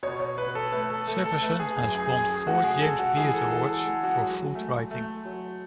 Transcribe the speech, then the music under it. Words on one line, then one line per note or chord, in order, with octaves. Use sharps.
Severson has won four James Beard awards for food writing.
B2 C#5
C#5
B2 B4
A4
A3 B4
A4
A3 A4
A4
A3 B4
G#4
F#2 G#4
G#4
F#2 G#4
G#4
A3 F#4
G#4
G#3 A4
F#4
E3 G#4
A4
E3 A4
A4
G#3
F#4
F#3
A3
A3
F#3